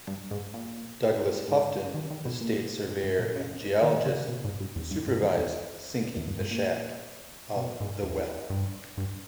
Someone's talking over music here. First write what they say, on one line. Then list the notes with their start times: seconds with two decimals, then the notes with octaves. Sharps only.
Douglass Houghton, the state surveyor and geologist, supervised sinking the shaft of the well.
0.07 G2
0.31 G#2
0.54 A#2
1.48 G#2
1.94 D#3
2.11 D#3
2.25 B2
2.41 A#2
2.88 G#2
3.04 G2
3.19 A#2
3.36 C#3
3.82 D#3
4.06 C#3
4.28 B2
4.45 G#2
4.60 G2
4.76 E2
4.91 G2
5.07 G#2
5.22 E2
5.37 E2
6.17 E2
6.28 G2
6.40 G#2
6.51 A#2
7.56 B2
7.80 G#2
8.03 E2
8.50 G2
8.98 G2